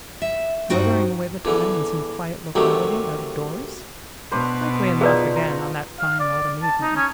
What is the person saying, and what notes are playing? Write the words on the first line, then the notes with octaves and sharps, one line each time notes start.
Loitering away the time in some quiet locality, out-of-doors? Likely enough, again, on that fine autumn evening.
E5
G2 C4 D#4 F#4 G5
E2 D3 E3
C3 D#3 F#3 G3 A3
B2 D4 B4 C5
F3 D#4 G#4 B4 D5
A#5 C#6
F5
D5
A5
D#4
C#4